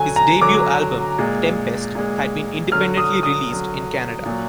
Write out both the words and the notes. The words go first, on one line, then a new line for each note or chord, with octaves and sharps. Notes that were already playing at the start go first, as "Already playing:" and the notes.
His debut album "Tempest" had been independently released in Canada.
Already playing: D3 F#3 G#5
A#5
D3 F#3 D6
A#2 G#3
A#2 G#3
D3 F#3 F6
D#6
D#6
D3 F#3
A#2 F#3